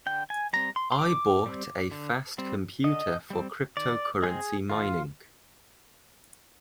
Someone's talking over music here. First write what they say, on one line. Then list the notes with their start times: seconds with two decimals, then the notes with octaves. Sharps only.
I bought a fast computer for cryptocurrency mining.
0.06 D3 G5
0.30 G#5
0.53 G3 C4 A#5
0.76 C6
0.92 C6
0.98 D3 D6
1.46 G3 C4
1.92 D3
2.38 G3 C4
2.84 D3 D#5
3.30 G3 C4
3.77 D#3 D5
4.22 G#3 C4 G#4
4.69 D#3 F4